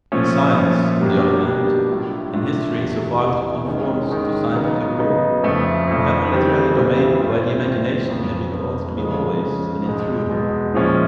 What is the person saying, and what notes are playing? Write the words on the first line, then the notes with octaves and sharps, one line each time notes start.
In science, on the other hand, in history so far as it conforms to scientific rule, we have a literary domain where the imagination may be thought to be always an intruder.
A#2 F3 A3 C#4
A#2 F3 A3 C#4
B2 G3 A#3 D4 G4
B2 G3 A#3 D4 G4
A2 F#3 A3 D4 F4
A2 F#3 A3 D4 F4
E2 C3 E3
E2 C3 E3
D#3 G#3 C#4
D#3 G#3 C#4
C#3 F#3 B3 D#4
C#3 F#3 B3 D#4
F2 C#3 F3 A3
F2 C#3 F3 A3
C#3 E3 G3 C4
C#3 E3 G3 C4
G2 E3 A3 C4 F4
G2 E3 A3 C4 F4
F2 C#3 F#3 B3
F2 C#3 F#3 B3
C#3 F3 G#3 C#4
C#3 F3 G#3 C#4
E2 B2 G#3
E2 B2 G#3
A#2 F3 G#3 C#4 E4